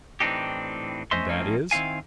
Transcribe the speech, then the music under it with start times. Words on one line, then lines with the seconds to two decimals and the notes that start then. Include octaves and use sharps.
"And that is--?"
0.20 A2 E3 C4 D4 D#4 G4
1.11 A3 C#4 C5 D#5 E5 C6
1.29 F3 A3 A#3 C4 C#4 D#4
1.71 D#3 C4 E4 F5 G#5